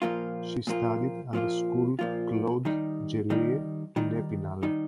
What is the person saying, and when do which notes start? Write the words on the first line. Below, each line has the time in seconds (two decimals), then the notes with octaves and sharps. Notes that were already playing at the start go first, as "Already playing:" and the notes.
She studied at the school Claude Gellée in Epinal.
0.02 A#2 F3 A#3 F4
0.67 A#2 F3 A#3 F4
1.33 A#2 F3 A#3 F4
1.99 A#2 F3 A#3 F4
2.65 D#3 G3 D#4
3.30 D#3 G3 D#4
3.96 D#3 G3 D#4
4.63 D#3 G3 D#4